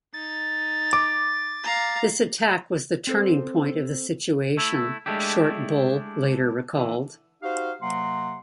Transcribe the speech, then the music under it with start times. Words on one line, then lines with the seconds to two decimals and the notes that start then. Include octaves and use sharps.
"This attack was the turning point of the situation," Short Bull later recalled.
0.14 D#4 A6
0.93 D6
1.63 F5 A#5
3.07 C4 A4 C5
4.57 A3 E4
5.06 G#3 A3 D4 E4 G4
6.75 D3 E3
7.43 D#4 F#4 G4 C5 F5
7.81 C3 F#3 A#3 F#5 C6